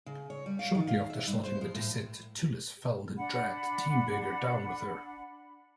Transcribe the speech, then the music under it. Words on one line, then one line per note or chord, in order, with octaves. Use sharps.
Shortly after starting their descent, Tullis fell and dragged Diemberger down with her.
C#3
C#5
G3
F5
D#3
F5
E5
G2
C5
F3
A2
D4 F#5 B5